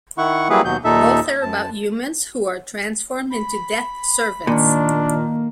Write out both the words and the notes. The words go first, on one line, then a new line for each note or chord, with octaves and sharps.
Both are about humans who are transformed into Death's servants.
D#3 E4 F#5 C#6
F#3 G3 A#3 E4 G#4 B4
D#2 B2 F#3 G6
D#2 A#2 D#4 A4 E5
F#2 A5
B5
A#2 D#3 D4
A#3